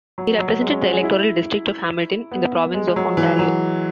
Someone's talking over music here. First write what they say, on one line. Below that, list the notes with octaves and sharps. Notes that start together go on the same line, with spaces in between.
He represented the electoral district of Hamilton in the province of Ontario.
F#3
F#3
G#3
C#4
F#4
G#4
E4
B3
G#3
F#3
E3
F#3